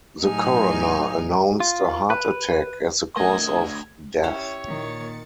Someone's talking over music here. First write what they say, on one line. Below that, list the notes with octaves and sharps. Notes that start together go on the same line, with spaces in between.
The coroner announced a heart attack as the cause of death.
A2 F#3 D#4 G#5 F6
F4
B4
D2 A3 D#5 G#6
C#4 E4 G4 C#5
A#2 D#3 A6 C#7